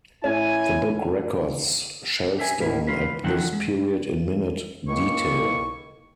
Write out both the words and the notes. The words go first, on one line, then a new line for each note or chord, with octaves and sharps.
The book records Shalstone at this period in minute detail.
A2 C#4 E4 G#5
G4 E5 G#5
A2 C#4 E4
F4 B4
E3 F3 D4 E4 F#5 G5
G#3
C#2 D#3 A#3 E4 C#6